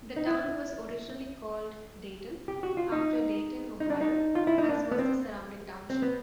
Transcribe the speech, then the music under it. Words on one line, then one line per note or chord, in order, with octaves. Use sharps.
The town was originally called Dayton, after Dayton, Ohio, as was the surrounding township.
D#4
E4
G4
F#4
F4
D#4
D#4
D4
D#4
F4
E4
D#4
D4
B3
C4
C4
B3